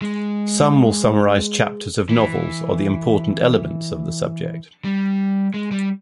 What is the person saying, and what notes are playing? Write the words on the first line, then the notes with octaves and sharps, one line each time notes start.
Some will summarize chapters of novels or the important elements of the subject.
G#3
E3
G3
G#3
G3